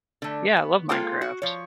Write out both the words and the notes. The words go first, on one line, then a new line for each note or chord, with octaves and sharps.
Yeah, I love Minecraft.
D3 A3
B3
G#3 A#3 F4 A4 C5 G5
F#4
F3 C#5